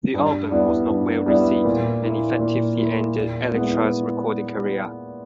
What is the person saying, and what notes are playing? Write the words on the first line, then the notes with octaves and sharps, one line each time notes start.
The album was not well received and effectively ended Electra's recording career.
G2
G3 B3 E4
G2
G3 B3 E4
A#2
A#3 E4
A#2
A#3 E4
A#2
G#3 B3 E4